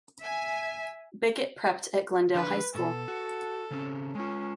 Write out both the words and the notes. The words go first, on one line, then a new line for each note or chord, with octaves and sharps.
Bickett prepped at Glendale High School.
E5 G#5
D3 F3 D4 B4
G#2 B2 A4
F#4
C#3 C4 C#4
G#3 C#4 F4